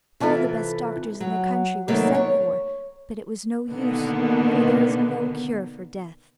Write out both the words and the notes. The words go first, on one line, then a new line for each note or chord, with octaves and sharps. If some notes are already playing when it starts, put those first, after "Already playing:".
All the best doctors in the country were sent for, but it was no use, for there is no cure for death.
C3 E3 E4 F4 A4
F#3
C3 D#3 F#3 G3 A3 A#3
C#5
B2 D3 D#3 A#3 B3